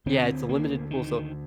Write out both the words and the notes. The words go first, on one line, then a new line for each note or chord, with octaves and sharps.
Yeah, it's a limited pool, so
D2 D3 C4
A#3
D#3